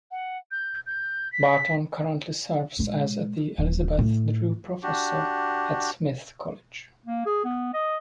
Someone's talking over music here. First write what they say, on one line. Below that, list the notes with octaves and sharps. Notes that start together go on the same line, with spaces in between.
Barton currently serves as the Elizabeth Drew Professor at Smith College.
F#5
G6
G6
B6
A#2 G#3
D#1
A2
D4 F#4 G4
A#3
G#4
B3
D#5